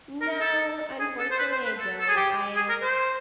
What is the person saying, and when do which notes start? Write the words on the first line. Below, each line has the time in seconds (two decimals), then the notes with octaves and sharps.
No, unfortunately, I don't, I
0.21 A#4
0.41 A4
1.00 G#4
1.19 A4
1.31 C5
1.39 B4
1.52 C5
1.65 B4
1.78 A4
2.00 A4
2.08 G#4
2.17 G4
2.56 G#4
2.69 A#4
2.82 C5